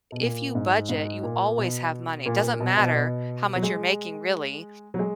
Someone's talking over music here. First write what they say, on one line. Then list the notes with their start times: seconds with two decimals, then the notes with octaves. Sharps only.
if you budget, you always have money- doesn't matter how much you're making really,
0.12 B2
0.21 A#2
0.55 G#2
0.89 G#2
1.23 A#2
1.58 B2
2.26 A#2
2.43 A#2
2.60 B2
2.77 B2
2.94 B2
3.56 F#3
3.63 G#3
4.94 F#3
4.99 G#3